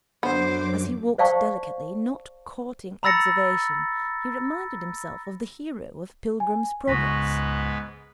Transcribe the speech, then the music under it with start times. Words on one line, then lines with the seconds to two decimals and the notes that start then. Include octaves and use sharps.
As he walked delicately, not courting observation, he reminded himself of the hero of 'Pilgrim's Progress'.
0.23 F#2 D3 F#3 B3 C5 D6
1.18 C5 D5 F5 G5 A5 C#6
3.03 A#5 B5 E6 A6 A#6 C#7
6.40 G#5
6.88 C#2 G#2 B3 B4 C#6 A#6 B6